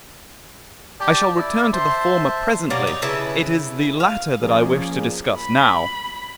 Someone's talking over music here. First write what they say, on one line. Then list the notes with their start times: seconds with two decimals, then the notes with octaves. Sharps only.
I shall return to the former presently; it is the latter that I wish to discuss now.
1.00 G4 D5 A5
1.37 E4 D5
1.73 C5 E5 A5 C6
2.70 B2 F#3 G3 A#3
2.87 D#4
3.02 C#3 E4 B4 A5
4.00 F5
4.40 F3 A#3 C#4 G#4 D5
5.38 B5